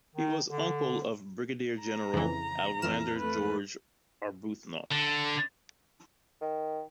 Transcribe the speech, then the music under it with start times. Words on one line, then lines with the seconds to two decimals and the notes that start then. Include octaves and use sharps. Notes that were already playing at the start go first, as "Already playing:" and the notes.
He was uncle of Brigadier-general Alexander George Arbuthnot.
0.15 D#3
0.49 D3
1.80 A#5
2.14 F2 C#3 E3
2.82 F2 E3 F6 E7
3.18 A3 B4
4.91 D3
6.41 D#3